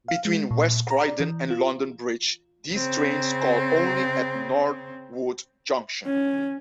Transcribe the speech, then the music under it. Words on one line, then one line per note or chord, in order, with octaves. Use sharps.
Between West Croydon and London Bridge, these trains call only at Norwood Junction.
F5
G#3
A#2
A#5
D5
E3
F4
C#3 C4
C#4